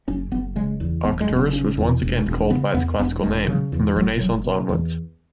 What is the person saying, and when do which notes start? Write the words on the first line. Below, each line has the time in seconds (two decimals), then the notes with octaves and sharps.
Arcturus was once again called by its classical name from the Renaissance onwards.
0.08 F#1 C#4
0.31 F#1 B3
0.56 C#3 G#3
0.80 E2
1.04 F#1 B3
1.21 G#3
1.29 F#1
1.36 B3
1.53 C#3 C#4
1.77 E2
2.02 E1
2.26 E1
2.50 C#3 B3
2.74 E2 B3
2.99 E1 B3
3.23 E1 G#3
3.47 C#3 F#3
3.72 E2
3.96 F#1 F#3
4.20 F#1 F#3
4.44 B2
4.69 E2